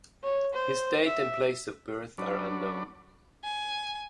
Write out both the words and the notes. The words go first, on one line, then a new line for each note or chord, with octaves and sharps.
His date and place of birth are unknown.
C#5
C5
E5
F#3 C#4 D4 A4 B4 D5
G#5